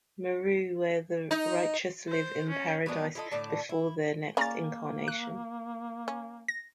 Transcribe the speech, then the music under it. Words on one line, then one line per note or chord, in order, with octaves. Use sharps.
Meru where the righteous live in paradise before their next incarnation.
D#4
C5
C#4
E3 F#3 B3 D4
E4 F4 A4 D#5
A2 D3 D5 A5
E4
C#3 A#3 C#4 F4 D5 A#5 A6
F#6
C#4
A#6